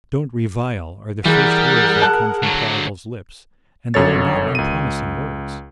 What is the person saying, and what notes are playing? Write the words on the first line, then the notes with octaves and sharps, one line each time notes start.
'Don't revile,' are the first words that come from Pliable's lips, and they are not unpromising words.
E3 G3 G#4 A#4 F#5
A5 F#6
D3 F#3
G1 F#2 A4 C#5 A6
C#2 D#7